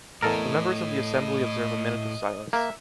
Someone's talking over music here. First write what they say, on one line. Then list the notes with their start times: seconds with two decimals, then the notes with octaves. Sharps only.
The members of the Assembly observe a minute of silence.
0.22 E2 A2 A4 A#4 D#5
2.53 A#3 E5